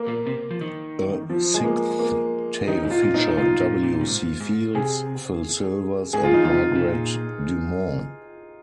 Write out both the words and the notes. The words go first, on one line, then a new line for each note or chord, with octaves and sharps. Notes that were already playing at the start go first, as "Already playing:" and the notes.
A sixth tale featured W. C. Fields, Phil Silvers and Margaret Dumont.
Already playing: A#3
A#2
C3
F3
D#3
F3
G#3
A#3
A#3
D#3 D#4
G#2 D#4
F4
A#2
G#2 D#4
A#2
D#4
G#2 F4
A#2
A#2
A#2
G#2
G#2
C3 G#4
G#2 G#4
G#3 F4
F3 D#4
D#3
C3 F4
C3
A#2